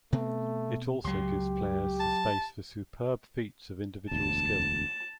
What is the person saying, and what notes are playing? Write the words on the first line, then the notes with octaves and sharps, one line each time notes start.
It also gives players the space for superb feats of individual skill.
B2 A3 B3 C4
C#2 F#3 G4 C6
A5
E1 D2 A5